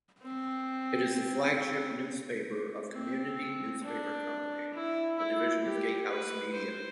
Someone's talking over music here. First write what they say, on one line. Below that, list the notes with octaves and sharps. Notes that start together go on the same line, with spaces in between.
It is the flagship newspaper of Community Newspaper Company, a division of GateHouse Media.
C4
C4
D4
E4
E4
G4
B4
C5